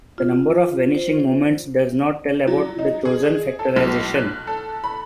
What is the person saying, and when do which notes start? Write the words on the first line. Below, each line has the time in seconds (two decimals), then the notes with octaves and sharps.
The number of vanishing moments does not tell about the chosen factorization.
0.18 F4
0.95 C5
2.48 F#3
2.79 D#4
3.05 G#4
3.59 A4
3.76 B1
4.15 F#6
4.47 A4
4.84 B5